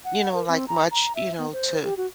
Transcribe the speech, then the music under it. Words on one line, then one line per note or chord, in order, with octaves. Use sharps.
you know, like much, you know, to
F#5
A#4
C4
A#5
A#5
E5
B3
C5
G4
F#4